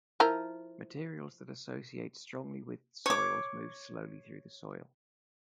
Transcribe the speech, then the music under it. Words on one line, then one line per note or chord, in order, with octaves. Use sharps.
Materials that associate strongly with soils move slowly through soil.
F3 E4 A#4
C#5 D6